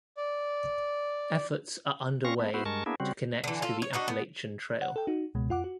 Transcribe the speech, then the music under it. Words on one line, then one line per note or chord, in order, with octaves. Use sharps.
Efforts are under way to connect to the Appalachian Trail.
D5
C4 C#4 F5 C#6 A#6
A3 B3
B3 E4 F#4 C5
G2 G#3 A#4 A5 C#6
A#3 B3 D4 E4 G#4
C#3 G3 C4 F#4
D3 E3
F4 A4
C#5
D4 D#4 F#4
B3
F#5
A4 G5
D#4 F#4
C#2 B2 G#3
F2 F4 F#5 D6
F#4